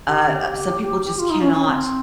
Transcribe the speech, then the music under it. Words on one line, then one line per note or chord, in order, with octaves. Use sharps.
uh, some people just cannot
G4
F4
D#4
C#4
C#4
C4